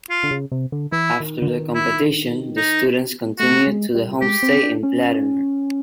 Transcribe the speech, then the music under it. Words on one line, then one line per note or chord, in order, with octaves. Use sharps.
After the competition, the students continue to the homestay in Vladimir.
F4
D3
C#3
C3
D3
E3 E4
D#3
D3
D#3
E4
D#4
A3 F#4
G#3
G3
G#3 G4
C4
D4
C#4